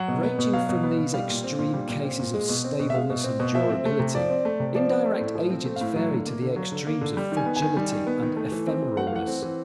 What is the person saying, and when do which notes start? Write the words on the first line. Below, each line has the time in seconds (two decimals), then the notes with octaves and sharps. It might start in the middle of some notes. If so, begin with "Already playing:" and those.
Ranging from these extreme cases of stableness and durability, indirect agents vary to the extremes of fragility and ephemeralness.
Already playing: F#3 F#5
0.08 B2
0.23 B3
0.39 B2
0.53 F#3 F5
0.69 B2
0.83 B3
0.98 B2
1.14 G3 F5
1.29 A#2
1.44 C4
1.59 A#2
1.74 G3
1.89 A#2
2.04 C4
2.19 A#2
2.34 G#3
2.49 B2
2.64 C4
2.80 B2
2.90 E5
2.94 G#3 F5
3.10 B2
3.24 C4
3.40 B2
3.55 F3 E5
3.70 C4
3.85 A3
3.99 C3
4.15 F3 D5
4.30 C4
4.45 A3
4.60 C3
4.75 F3 D5
4.90 C4
5.05 A3
5.21 A2
5.35 F3
5.50 C4
5.65 A3
5.76 F5
5.81 A2
5.96 F#3
6.11 D3
6.26 A#3
6.42 D3
6.56 F#3
6.72 D3
6.87 A#3
7.01 D3
7.17 G3
7.32 D#3 G#5
7.46 B3
7.56 G#5
7.62 D#3
7.77 G3
7.92 D#3
8.07 B3
8.22 D#3
8.37 A3
8.52 E3
8.67 C4
8.83 E3
8.97 A3 F#5
9.07 F5
9.13 E3 F#5
9.28 C4
9.42 E3